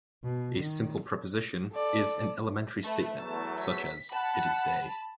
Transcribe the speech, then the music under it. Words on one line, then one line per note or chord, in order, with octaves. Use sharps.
A simple proposition is an elementary statement such as it is day.
B2
D#3
A4 D5
A3 B4
E2 F#3 A3 A5
B6
F#5 A5 B5